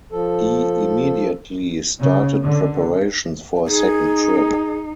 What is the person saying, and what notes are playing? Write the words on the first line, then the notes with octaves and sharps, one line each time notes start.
He immediately started preparations for a second trip.
F3 A4
C#3
D3
D#4 G#4